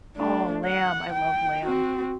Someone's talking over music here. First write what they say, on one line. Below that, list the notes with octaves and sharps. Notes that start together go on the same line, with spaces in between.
Oh, lamb. I love lamb.
A3 D4
F#5
G5
C4 F#4